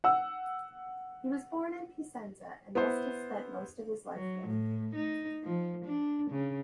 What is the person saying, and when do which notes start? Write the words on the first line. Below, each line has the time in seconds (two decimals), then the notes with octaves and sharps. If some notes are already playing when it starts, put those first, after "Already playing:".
He was born in Piacenza, and must have spent most of his life there.
0.04 F#5 E6
2.75 B3 E4 C5
4.15 F#3
4.47 A2
4.95 D#4
5.44 F3
5.85 D4
6.30 C#3